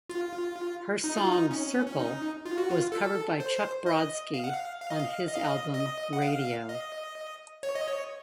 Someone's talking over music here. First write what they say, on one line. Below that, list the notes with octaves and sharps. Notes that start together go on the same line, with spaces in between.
Her song "Circle" was covered by Chuck Brodsky on his album "Radio".
F4
D#4
F4
D#4
C#4
C#4
D#4
F4
F#4
F4
A4
C5
D#5
F5
F#5
F5
F5
D#5
F5
D#5
F5
D#5
D#5
F#5
F5
D#5
C#5
D#5
C#5